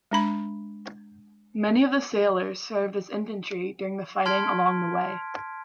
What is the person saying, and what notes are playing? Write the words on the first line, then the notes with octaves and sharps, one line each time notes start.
Many of the sailors served as infantry during the fighting along the way.
G#3 D4 B5
A5 C6 F6 G#6 B6 D7